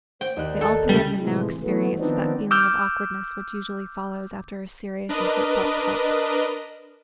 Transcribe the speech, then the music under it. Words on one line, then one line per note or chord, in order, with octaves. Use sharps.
They all three of them now experienced that feeling of awkwardness which usually follows after a serious and heartfelt talk.
C5 G5
D#2 D5 F#6
A4
C#2 G3 C#4
A2 C3 E3 F3 G#3
E3 F#3 A3 B3
D#3 F3 B3 C4 D4 D#4
D6 E6 F6 G6
D4 A#4 B4 D#5